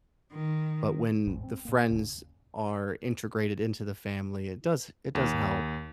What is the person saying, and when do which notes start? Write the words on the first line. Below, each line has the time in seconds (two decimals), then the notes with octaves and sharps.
but when the friends are integrated into the family, it does it does help.
0.32 D#3
1.27 A1 E2 G#2
1.44 C4
1.65 A#2 A#3
1.90 F#1 D#2 C#3
5.15 D#2